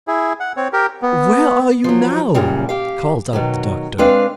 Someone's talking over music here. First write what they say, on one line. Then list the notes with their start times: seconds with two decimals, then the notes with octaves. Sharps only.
"Where are you now?" called out the doctor.
0.08 E4 G#4
0.40 F#5
0.57 C4 C#5
0.73 G4 A#4
1.02 B3
1.84 F3 F#3
2.34 F#2 A#2 C#3 G3
2.69 G4 F5
3.33 B2 D#3 F#3
3.98 G#3 C4 D4 B4 F5